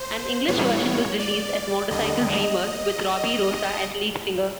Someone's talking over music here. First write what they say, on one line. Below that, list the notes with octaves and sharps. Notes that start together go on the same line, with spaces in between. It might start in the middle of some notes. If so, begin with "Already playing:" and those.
An English version was released as "Motorcycle Dreamer", with Robby Rosa as lead singer.
Already playing: C5
A2 E3 G3 B3 C#5
D5
D#2 D3 G3 D#5